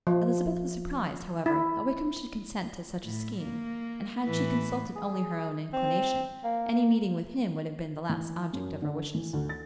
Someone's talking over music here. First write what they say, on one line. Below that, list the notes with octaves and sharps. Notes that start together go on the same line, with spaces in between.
Elizabeth was surprised, however, that Wickham should consent to such a scheme, and had she consulted only her own inclination, any meeting with him would have been the last object of her wishes.
F3
E4
A2
A#3
A2 E3 B4
G#4
C4
A#3
E3
F#2
D3
E3
D2
A6